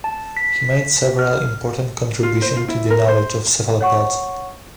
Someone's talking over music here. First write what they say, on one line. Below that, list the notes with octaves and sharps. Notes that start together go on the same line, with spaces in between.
He made several important contribution to the knowledge of cephalopods.
A5
B6
F6
F4
C5
F4
E4
A#4
C5
C#5 F#5 C#6